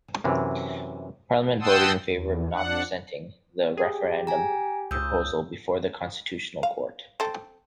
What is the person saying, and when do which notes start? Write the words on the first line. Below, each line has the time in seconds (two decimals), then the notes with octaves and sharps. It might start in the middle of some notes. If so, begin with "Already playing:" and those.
Parliament voted in favour of not presenting the referendum proposal before the Constitutional Court.
0.24 F#2 C3 E3
1.61 F#5 G5 A5 C6 D#6 E6
2.07 E2
2.52 F2 D4 F#5
3.77 G4 G#4
4.27 G#5 A#5
4.91 C#2 D#6 E6 G6
6.63 F5
7.20 C4 A4